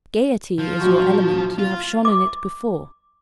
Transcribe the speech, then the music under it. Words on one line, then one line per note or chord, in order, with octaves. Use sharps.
Gaiety is your element, you have shone in it before.
F3
A#1 F#3 C#6
F4
D6